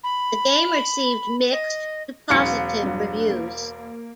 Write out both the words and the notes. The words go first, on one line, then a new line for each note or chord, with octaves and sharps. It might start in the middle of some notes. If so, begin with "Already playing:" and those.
The game received mixed to positive reviews.
B5
D#5
E1 F#3 C#4 C#7
G2 F#3
A#3